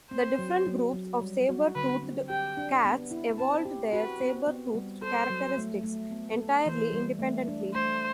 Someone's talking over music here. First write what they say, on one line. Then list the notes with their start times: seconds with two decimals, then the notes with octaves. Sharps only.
The different groups of saber-toothed cats evolved their saber-toothed characteristics entirely independently.
0.11 C4 C5
0.38 F#3
0.67 F#3
0.93 F#3
1.21 G3
1.49 F#4
1.76 D3 B4
2.02 C4
2.29 G4 G5
2.57 D4
2.85 B3
3.11 E4
3.38 C4 A5
3.65 G4
3.93 F#4 B4
4.21 C4
4.47 B3
4.75 G3
5.02 A4 C5
5.30 F#3
5.57 A3
5.83 A3
6.11 B3
6.38 A4
6.66 E3 C5
6.92 G3
7.19 A3
7.48 D4
7.74 A3 C5